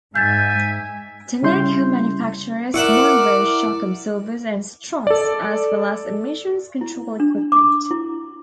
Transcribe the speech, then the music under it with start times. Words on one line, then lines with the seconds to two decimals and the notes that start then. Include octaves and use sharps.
Tenneco manufacturers Monroe shock absorbers and struts, as well as emissions control equipment.
0.15 G#2 E5 G#5 G6 A6
1.43 C#3 G3 C#4 E4 C6 G6
2.74 E4 A#4 D5 E5 F#5 C#6
5.07 A4 D5
6.81 E4
7.20 D4
7.52 D6
7.91 E4